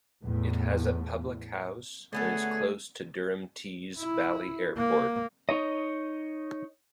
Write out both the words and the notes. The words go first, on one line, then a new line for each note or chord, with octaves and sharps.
It has a public house and is close to Durham Tees Valley Airport.
E2 A2
D3 A3 B3 C#4 F#4 G#4 A4
E4
A#3
D#4 C#5 D#5